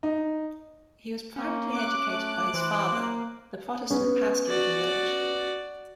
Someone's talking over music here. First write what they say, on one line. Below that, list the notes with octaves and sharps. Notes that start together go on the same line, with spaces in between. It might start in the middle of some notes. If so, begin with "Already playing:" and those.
He was privately educated by his father, the Protestant pastor of the village.
D#4
A#3 C#4
D6 F#6
A3
E3 C5
A#3
B3 C#4
F#4 D5